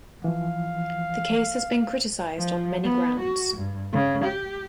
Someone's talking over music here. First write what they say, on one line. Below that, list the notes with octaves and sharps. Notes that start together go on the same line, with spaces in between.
The case has been criticized on many grounds.
E3 F3 F5
F3
B3
F#4
G2
C#3
G4